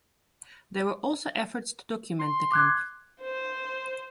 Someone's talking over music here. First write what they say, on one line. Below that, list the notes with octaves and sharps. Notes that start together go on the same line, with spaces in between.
There were also efforts to document the camp.
C6
D6 F#6 G#6
C5